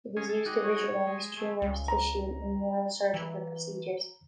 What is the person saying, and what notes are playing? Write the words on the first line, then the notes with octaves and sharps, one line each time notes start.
It is used to visualise tumorous tissue in neurosurgical procedures.
G#3 C#4 G#4
G#4 A4
G#3 D#4 F#4 G4
C#5
G#3
A3 G#4
C#2
A#5
E3